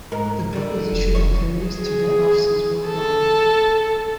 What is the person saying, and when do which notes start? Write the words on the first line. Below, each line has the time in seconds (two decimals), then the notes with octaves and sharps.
The book is issued at various Tibet offices worldwide.
0.12 G#2 A#4
0.53 D3 G3
0.92 F1
1.15 C#5
1.64 G#4
2.87 A4